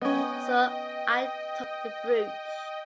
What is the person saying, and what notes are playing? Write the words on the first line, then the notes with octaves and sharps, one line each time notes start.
So I took the brooch.
B3 C#4 D#5 G5